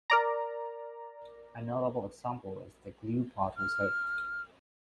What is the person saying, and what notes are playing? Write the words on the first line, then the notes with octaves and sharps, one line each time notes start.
A notable example is the Gluepot Reserve.
A#4 D5 A#5
F6